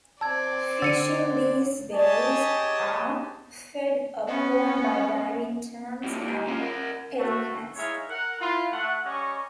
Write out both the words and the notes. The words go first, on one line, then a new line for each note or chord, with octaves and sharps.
Fish in these bays are fed upon by diving terns and pelicans.
C4 D5 A5 E6 G#6
D3 E6 A6 C#7 D#7
G4 G#4 C#5 D#5 G#5 A5
B3 C#4
G2 A#2
D#2
C#4 F4
A#4 F#5
A3 F#4
G#3 D#4 E4 C#5 E5 F5
A#4 F#5
E4 F4
A3 F#5
G3 C#4 G4 D#5 C#6